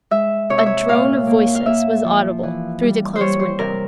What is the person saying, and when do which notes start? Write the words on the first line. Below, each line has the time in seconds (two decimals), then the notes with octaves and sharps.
A drone of voices was audible through the closed window.
0.11 G#3 E5
0.50 C3 C#5
0.58 E5
0.66 C#5
0.88 A#2 F5
1.27 A#3
1.55 F5
1.66 A#3 E5
2.04 F3
2.43 E3
2.82 G3
3.16 C5
3.21 G3 C#5
3.40 C5
3.59 C3 A#4